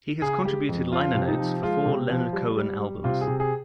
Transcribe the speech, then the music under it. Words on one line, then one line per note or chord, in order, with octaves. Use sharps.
He has contributed liner-notes for four Leonard Cohen albums.
C#3 G#4
G#3 G4
F2
F3 F4
C3
D#4
F3
G#3 F4
C3
F3
G3
G3
G3
C3 F4
G#4
C3
G#4